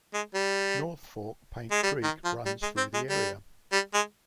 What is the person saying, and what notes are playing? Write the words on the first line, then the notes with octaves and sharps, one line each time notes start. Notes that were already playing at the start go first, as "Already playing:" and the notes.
North Fork Paint Creek runs through the area.
G#3
G3
G#3
G3
D#3
F3
G3
G#3
C4
G#3
G3
G3
G#3